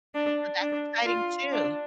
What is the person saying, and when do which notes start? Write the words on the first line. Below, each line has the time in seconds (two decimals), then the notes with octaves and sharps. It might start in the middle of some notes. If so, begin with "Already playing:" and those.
So, that's exciting too.
0.15 D4
0.61 D4
1.05 F4
1.52 D4